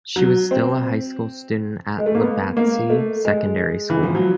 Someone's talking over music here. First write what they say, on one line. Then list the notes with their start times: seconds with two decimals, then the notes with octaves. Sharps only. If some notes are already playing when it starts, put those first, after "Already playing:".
She was still a high school student at Lobatse Secondary School.
0.16 F#3
0.51 C4
1.99 G#3
2.06 A3
2.15 A#3
2.21 B3
2.57 A#3
2.90 A3
3.25 G#3
3.90 E3
4.03 F3
4.15 F#3